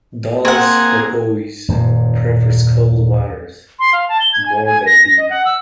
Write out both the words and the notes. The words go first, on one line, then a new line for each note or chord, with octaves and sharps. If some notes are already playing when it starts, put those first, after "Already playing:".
Dall’s porpoise prefers cold waters more than deep.
A#3 C4 G#4 F#5
D#1 F#2 A#2
C6
F5
A5
G7
G#6
G#5
G#5
A#6
A#6
D#5
F#5
E6